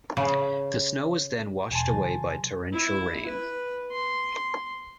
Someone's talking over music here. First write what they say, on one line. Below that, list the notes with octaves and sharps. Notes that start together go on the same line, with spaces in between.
The snow was then washed away by torrential rain.
C#3
E1 G#5 A5 C6
C3 D#3 F#3
E4
B4
C6